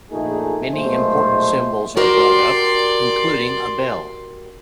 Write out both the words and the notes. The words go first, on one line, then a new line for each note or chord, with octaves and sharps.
Many important symbols are brought up, including a bell.
A#1 A#2 A3 D#4 G#4
B1 A#2 G#3 A3 C5
F#4 G4 A#4 D5 C6